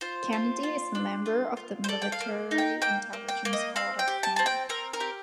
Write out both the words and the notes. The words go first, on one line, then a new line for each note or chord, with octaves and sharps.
Kennedy is a member of the Military Intelligence Hall of Fame.
F4 C5
F4
F4
D4
F4
F4
C5
A4 D5
G5
F5
A#3
D#4
G5
A#3 G5
A#3
G5
A#3
D#5
C4 F5
G5
G4
A5
C4 A5
G5
C4 A#4
A#4
G4